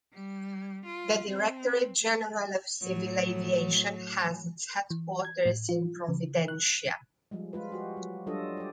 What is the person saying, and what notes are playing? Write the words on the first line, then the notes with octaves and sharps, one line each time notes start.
The Directorate General of Civil Aviation has its headquarters in Providencia.
G3
F4
C4
A2 F#3
E3
G#6
A2
F4
C#3
F#6
F3 G3 G#3
G#3 F4 B4
F#4 G4
F#3
F#3 G3 D4 F4 A4 D#5
G4 D5